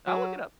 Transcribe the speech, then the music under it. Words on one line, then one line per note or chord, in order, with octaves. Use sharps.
I'll look it up.
F#3